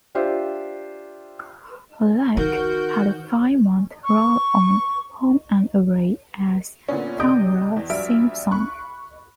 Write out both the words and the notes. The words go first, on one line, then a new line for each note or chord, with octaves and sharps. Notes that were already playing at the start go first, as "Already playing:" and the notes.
Luck had a five-month role on "Home and Away" as Tamara Simpson.
D4 F4 G4 C5 E5
D#3 F#4 A#4 G6
C#6
A#2 D3 B3 C#4
C3 D4 D#5 D#6 G6 D7
E2
A#1 F#3 G3 E5 F6 D7
B5 C#6 F#6